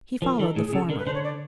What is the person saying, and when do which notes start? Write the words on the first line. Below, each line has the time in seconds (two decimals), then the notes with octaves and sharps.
He followed the former.
0.22 F3 A#4
0.39 D#3 A4
0.56 A2 G#4
0.67 G#4
0.73 C#3 A4
0.89 D3 A#4
0.98 B4
1.06 D3 C5
1.15 C#5
1.24 D5